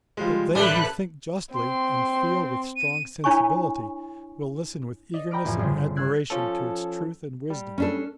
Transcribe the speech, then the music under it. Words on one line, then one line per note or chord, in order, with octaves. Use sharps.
But they who think justly, and feel with strong sensibility, will listen with eagerness and admiration to its truth and wisdom.
F3 G3 G#3
A1 G3 A4 B4 E5 F#6
C4 C6
D#7
D4 E4 C#5 G#5 C#6
D5 D#5
G5 A#5 B5 D6 F6 D7
A1 F2 G#5
G1 C#3 D4 C5
E6 F#6 G#6 C7 D7
F3 C#4 A4
G3
C#4 D4 A4